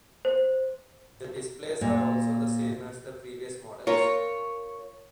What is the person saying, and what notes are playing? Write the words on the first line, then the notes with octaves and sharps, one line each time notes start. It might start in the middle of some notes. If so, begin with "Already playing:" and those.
The displays are also the same as the previous models.
C5
A#2
F4 A#4 C#5